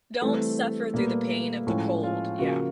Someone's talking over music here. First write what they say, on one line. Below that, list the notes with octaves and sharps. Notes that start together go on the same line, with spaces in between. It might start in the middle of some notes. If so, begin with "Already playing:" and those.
Don't suffer through the pain of the cold, yeah.
E3 G3 A3 C4
A#2 G3 A#3 B3
A2 F3 G#3 C#4
F4
C#3 F3 A#3 F#4